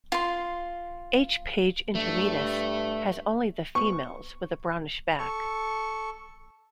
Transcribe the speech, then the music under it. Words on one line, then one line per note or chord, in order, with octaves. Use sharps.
"H. page intermedius" has only the females with a brownish back.
F4 C6
G2 A3
C#6
A4 C#6